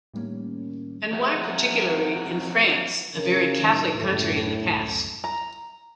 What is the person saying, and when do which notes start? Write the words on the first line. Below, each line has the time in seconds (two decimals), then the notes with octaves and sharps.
And why particularly in France, a very Catholic country in the past?
0.14 A2 D#3 G3 A#3 C#4
1.12 F2 F#3 G#4 E5
3.14 C#3 A#4
3.57 A2 D#3 F#3
3.98 B1 F#2 A2 D3
4.62 C#2 F#2
5.24 A#5